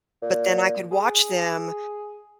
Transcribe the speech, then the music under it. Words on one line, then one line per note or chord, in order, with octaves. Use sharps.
But then I could watch them
A#2
G#4